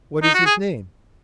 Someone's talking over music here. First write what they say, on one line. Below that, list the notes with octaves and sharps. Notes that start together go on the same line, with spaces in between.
"What is his name?"
D#4
F#4
G#4